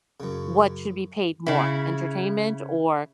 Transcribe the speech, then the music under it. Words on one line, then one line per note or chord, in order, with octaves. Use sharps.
what should be paid more, entertainment or,
F#2 C#3
C#3 E4